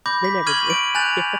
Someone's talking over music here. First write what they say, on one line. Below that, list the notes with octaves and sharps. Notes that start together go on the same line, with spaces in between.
They never do, yeah.
B5 D6 G6 A#6
B6
C#6 F6 G#6 D#7 F#7
D7
G#5 F#6 G6 A6 F7